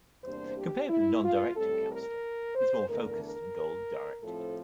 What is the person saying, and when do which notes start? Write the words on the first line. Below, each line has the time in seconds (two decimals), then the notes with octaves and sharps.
Compared with non-directive counseling, it's more focused and goal-directed.
0.23 E2 C3 G3 A#3 D4 C5
0.56 G4
0.90 E4
1.23 F4
1.56 A2 G3 C4 A4
1.90 A#4
2.55 C5
2.89 E2 D3 A3 D4 A#4
3.22 A#4
4.21 A2 F3 C4 A4